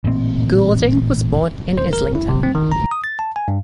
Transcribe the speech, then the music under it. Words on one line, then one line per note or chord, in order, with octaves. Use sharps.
Goulding was born in Islington.
A1 A#2 C#3 C4
C5
A#4
E4
C3
C4
D#3
A#5
D#6
A6
A5
G#5
G2